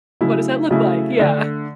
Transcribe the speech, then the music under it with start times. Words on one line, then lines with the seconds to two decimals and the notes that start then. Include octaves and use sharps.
What does that look like? Yeah.
0.21 C#3 F#3 A3 E4
0.71 C#3 F#3 A3 E4
1.19 D3 A3 D4